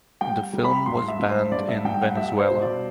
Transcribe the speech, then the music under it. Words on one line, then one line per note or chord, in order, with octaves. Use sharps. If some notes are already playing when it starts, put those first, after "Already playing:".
The film was banned in Venezuela.
G3 G5
G3
B5
G2 C6
E5
G2
C5
G2 D5
E5
G2 G5
F#5
G3 E5
C5
B2
D5